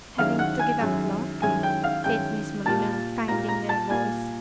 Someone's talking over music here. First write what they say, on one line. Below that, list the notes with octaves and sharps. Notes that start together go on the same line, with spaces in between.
"Having to give up Lockleigh?" said Miss Molyneux, finding her voice.
F#2 D#3 G#3 C#4 E4 F5 F6
F#5 F#6
G#5 G#6
F#2 D#3 G#3 C#4 E4
F#2 D#3 G#3 C#4 E4 G#5 G#6
G5 G6
F5 F6
F#2 D#3 G#3 C#4 E4 G5 G6
A#2 G3 A#3 A5 A6
A#2 G3 A#3 A#5 A#6
A#5 A#6
A5 A6
A#2 G3 A#3 G#5 G#6